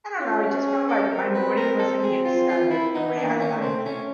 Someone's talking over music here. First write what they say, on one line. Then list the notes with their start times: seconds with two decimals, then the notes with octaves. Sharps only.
I don't know, I just felt like my morning wasn't getting started the way I liked it.
0.20 C#4 F4
0.43 F#4
0.66 G#4
0.89 A4
1.03 A4
1.11 C4 A#4
1.34 B4
1.57 A#4
1.79 A4
2.03 G#4
2.25 F4
2.49 F4
2.70 E4
2.93 B3 D#4
3.17 D4
3.24 A#3
3.40 C#4
3.54 A3
3.62 C4
3.85 C#4